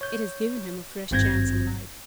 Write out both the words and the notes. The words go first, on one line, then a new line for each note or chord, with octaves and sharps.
"It has given him a fresh chance in life."
C#5 G6
G#1 G2 C4 G6 G#6 A#6